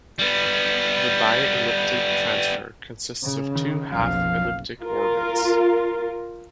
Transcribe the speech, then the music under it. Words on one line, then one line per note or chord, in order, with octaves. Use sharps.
The bi-elliptic transfer consists of two half-elliptic orbits.
G3 B3
C#3
D#3
F#1 B1 F3 F5
F4 A#4